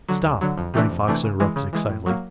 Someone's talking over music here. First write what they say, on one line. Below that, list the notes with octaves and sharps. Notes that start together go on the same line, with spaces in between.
"Stop!" Running Fox interrupted, excitedly.
D3 F#3
D2
D3 F#3
F2
C3 E3 A3 D4
F2
C3 E3 A3 D4
C#3
E3 G#3
C#3
E3 G#3
A2
F#3 A#3